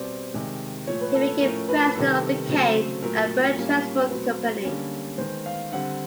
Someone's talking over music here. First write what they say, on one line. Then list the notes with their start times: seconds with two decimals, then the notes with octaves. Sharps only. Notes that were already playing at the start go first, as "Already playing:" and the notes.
He became president of the Kaine and Bird transport company.
Already playing: B2 G3 C4 D5
0.34 C3 D#3 G#3
0.87 A#2 F3 A3 C#5
1.01 B4
1.14 A4
1.41 A2 F3 A3 C#4 A#4
1.69 B4
1.95 C3 D#3 G3 B3 A4
2.49 C#3 F#3 A3 C4
3.02 A#2 F#3 A3 A#4
3.57 A#2 G3 A#3 C#4
4.10 B2 F#3 A3 C4 B4
4.65 D3 G3 A#3 C#4
5.18 D#3 G#3 B3 C5
5.46 F5
5.72 D3 G3 C4 F#5